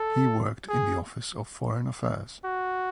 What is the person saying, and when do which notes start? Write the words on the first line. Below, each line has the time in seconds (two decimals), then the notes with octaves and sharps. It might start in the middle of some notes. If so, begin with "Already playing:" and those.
He worked in the Office of Foreign Affairs.
Already playing: A4
0.69 G#4
2.44 F#4